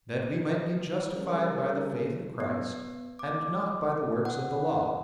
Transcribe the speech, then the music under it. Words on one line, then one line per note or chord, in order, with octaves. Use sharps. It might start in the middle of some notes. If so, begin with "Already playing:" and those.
That we might be justified by the faith of Christ, and not by the works of the Law.
C#3 G3 C#4 A4 A#4 C5
B3
D6
F#5